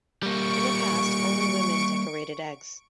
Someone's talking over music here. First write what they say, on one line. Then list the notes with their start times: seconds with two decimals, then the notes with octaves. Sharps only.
In the past, only women decorated eggs.
0.23 G3 A#3 C#6 D7